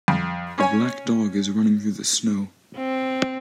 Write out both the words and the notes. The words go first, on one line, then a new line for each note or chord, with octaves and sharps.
A black dog is running through the snow.
F2
C#4 C#5 G#5
C4